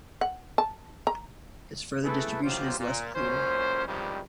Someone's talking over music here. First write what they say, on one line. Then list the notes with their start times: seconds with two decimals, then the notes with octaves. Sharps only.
Its further distribution is less clear.
0.21 F#5
0.58 A5
1.07 A#5
2.03 A3 E4 G#4 A4 B4
2.43 A1 D#2 F#3 F4 G4 C5
2.79 A#2
3.14 C#2 F#2 A#2 C#4 C5
3.87 C#2 G2 C3 D#3 F3 G3